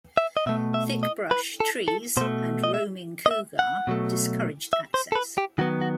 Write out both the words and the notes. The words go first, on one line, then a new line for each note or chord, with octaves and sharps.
Thick brush, trees and roaming cougar discouraged access.
E5
D#5
B2 A3 E5
E5
D#5
B4
A4
A4
B2 A3 C5
D#5
E5
D#5
E5
F#5
B2 F#3 A3
E5
C5
A4
B4
G4
D#3 F#3 B3 F#4
F#4